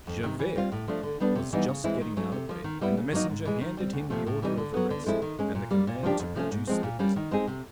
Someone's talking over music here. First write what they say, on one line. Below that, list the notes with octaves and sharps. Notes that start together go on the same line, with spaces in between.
Javert was just getting out of bed when the messenger handed him the order of arrest and the command to produce the prisoner.
F2
C3 D#3
E3
G3 C4 F4
A2
F3 A3 D4
D3
G3 B3 D4
C3
E3 G3 B3 D#4
C#3
E3 G#3 C4 E4
D#3
F#3 A3 C#4
C3
F3 A#3
D#3
G3 B3 E4
C#3
F#3 A#3 D#4
G#2
E3 G#3
D#3
G3 C4
D2
C3 F3 A3
A2
E3 G3 C4 D#4
D3
F#3 B3
D3
F3 G#3 C4 E4
D#3
G#3 C#4
A#2
G3 A#3
A#2
F3 A#3 D4 G4
F2
C3 F3 A3 C#4
G#2
F3 G#3 C4
A#2
G3 A#3 C#4
D#3
G#3 C4 D#4 G#4
C3